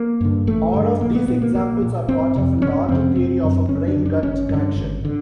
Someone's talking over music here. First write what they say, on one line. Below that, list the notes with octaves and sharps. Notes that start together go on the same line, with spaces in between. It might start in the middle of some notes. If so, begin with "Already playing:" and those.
All of these examples are part of a larger theory of a brain-gut connection.
Already playing: A#3
G2 D3
A1 A3
G2 D3
A#1 A#3
B3
A#2 B3
A#3
A#1 A#3
A#2
G1 C4
F2 C3
G1 C#4
F2 C3 C4
F#1 C4
F#2 D3
F#1 C#4
D4
F#2 D3
D4
G#1 C#4
G2 D3
G#1
D3